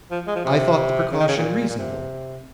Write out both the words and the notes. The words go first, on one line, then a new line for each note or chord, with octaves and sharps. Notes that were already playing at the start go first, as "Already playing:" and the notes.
I thought the precaution reasonable.
F3
G#3
F3
C3
C#3
D#3
C#3
A#2
A#2
C3